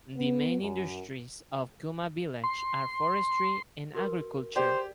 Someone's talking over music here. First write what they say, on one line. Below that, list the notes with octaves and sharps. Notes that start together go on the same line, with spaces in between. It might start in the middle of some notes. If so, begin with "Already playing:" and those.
The main industries of Kuma Village are forestry and agriculture.
B3
F#2
C6
F#4 A#4 B4
G4 G#4 C5 D5